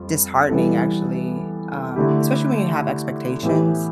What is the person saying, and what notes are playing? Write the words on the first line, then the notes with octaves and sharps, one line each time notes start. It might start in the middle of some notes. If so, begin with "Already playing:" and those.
disheartening, actually, um, especially when you have expectations,
Already playing: F2 G3 F4
E3 G3 B3 E4 A4
D3 A3 E4 G4
A2 E3 B3 E4 G4